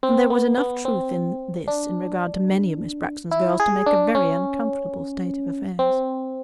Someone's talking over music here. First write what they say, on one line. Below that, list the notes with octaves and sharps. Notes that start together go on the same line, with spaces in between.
And there was enough truth in this in regard to many of Miss Braxton's girls to make a very uncomfortable state of affairs.
C4
B3
B3
C4
D4
E4
G#4
D4
C#4
C4